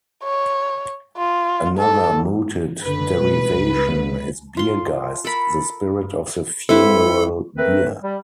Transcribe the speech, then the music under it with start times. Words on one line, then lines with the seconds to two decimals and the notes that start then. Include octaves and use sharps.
Another mooted derivation is "Bier-Geist", the "spirit of the funeral bier".
0.23 C#5
1.17 F4
1.78 A4
2.84 F#1 D3 B4
3.15 B2 G3 G#3
3.55 C#2
4.57 F4 C6
5.25 A4 A#4 B5
6.69 C4 E4 A4 B4
7.58 A3 C4 A#4 B4
8.02 G3